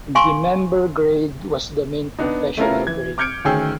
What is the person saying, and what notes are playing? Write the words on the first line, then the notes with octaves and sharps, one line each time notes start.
The Member grade was the main professional grade.
F5 G#5 C6 C#6
B3 D4 D#4
A3 B3 C#4 E4 F4 A#4
E3 G#6
D6 F6 G6 G#6 C#7 D7
D2 D#3 C#4 G#4 G5 E6